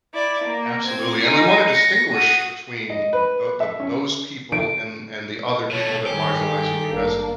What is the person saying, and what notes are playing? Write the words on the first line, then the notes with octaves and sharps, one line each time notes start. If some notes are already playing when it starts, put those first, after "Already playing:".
Absolutely, and we want to distinguish between the the those people and and the other people that marginalize you because
E4 D5
A#3
C4 G#6
D#4 G#5
A#6 C#7
F#4 D#6
D#5
B4
E5
C#4
D7
B2 A3 C#5
G2 D#3 G4 G#4
A4
G#1 G2 A#3 D4